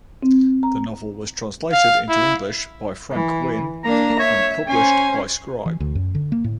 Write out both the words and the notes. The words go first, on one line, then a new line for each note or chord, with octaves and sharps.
The novel was translated into English by Frank Wynne and published by Scribe.
C4
A#5
F5
E4
E3
A#3 D4 A#5
C#5 E5
C#4 C5 G#5
E3
D2
F#2
D3
A#3
A2